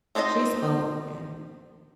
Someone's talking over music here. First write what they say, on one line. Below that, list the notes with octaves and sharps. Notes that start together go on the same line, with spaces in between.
she spoke and
C4 D#4 C5 C#5 D#5